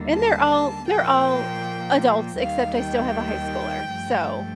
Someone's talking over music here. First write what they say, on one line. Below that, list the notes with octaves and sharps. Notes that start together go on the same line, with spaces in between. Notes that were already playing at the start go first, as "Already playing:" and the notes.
and they're all they're all adults, except I still have a high schooler, so
Already playing: D#2 D3 G3 A#3
A5
A5
A#2 F3 A#3 G5
D#2 D#3 G3 F5
G5
G2 F3 A3